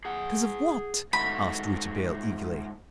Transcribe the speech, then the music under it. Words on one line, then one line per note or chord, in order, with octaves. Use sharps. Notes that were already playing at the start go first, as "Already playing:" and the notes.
"Because of what?" asked Rouletabille eagerly.
G#4 F#5
G#2 A3 F#4 B5